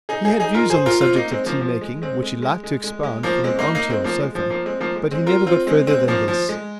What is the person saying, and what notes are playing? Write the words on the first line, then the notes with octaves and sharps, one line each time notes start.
He had views on the subject of tea-making which he liked to expound from an armchair or sofa, but he never got further than this.
D#4 G#4
D#4 G#4
D#4 G#4
F4 A#4
G#4 C5
F4 A#4
C4 F4
A#3 D#4
G#3 C4
F3 A#3
F3
G#3
G#3 C4
G#3
G#3
G#3
G#3
G#3
F3 A#3
G#3 C4
A#3 D#4
A#3 D#4
G#3 C4
F3 A#3
G#3
F3
F3 A#3
G#3 C4
F3 A#3
G#3
G#3 C4
F4 A#4
C4 F4
G#3 C4
G#3 C4
F3 A#3
F3
G#3